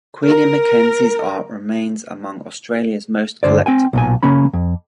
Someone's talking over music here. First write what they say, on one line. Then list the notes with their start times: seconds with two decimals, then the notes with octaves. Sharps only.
Queenie McKenzie's art remains among Australia's most collectible.
0.24 A#4
3.43 G2 D3 C5 D5
3.66 C4 G5 G#5
3.93 B1 A#2 G#5
4.23 C#3 A#3 C#4 B5
4.53 F2